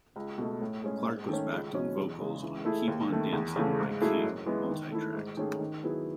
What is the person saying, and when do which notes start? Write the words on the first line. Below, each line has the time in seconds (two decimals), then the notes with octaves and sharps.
Clark was backed on vocals on "Keep On Dancing" by King, multi-tracked.
0.16 C#2
0.38 B2 A3
0.61 A2
0.84 G#3 C#4 G#4
1.06 G#2
1.28 D#3 A3 C#4
1.52 C#2
1.74 B2 F#3 C#4
1.97 E2
2.20 C#3 G#3
2.43 E3
2.65 A3 E4 G#4
2.88 D#2
3.10 D#3 A3
3.33 E2
3.56 C#3 E3 A3
3.79 G#2
4.01 F#3 A3 E4 G#4
4.24 F#2
4.46 E3 G#3 B3
4.70 D#3
4.92 A3 E4
5.14 G#2
5.37 D#3 A3 C#4 G#4
5.60 D#3
5.83 F#3 B3 E4 G#4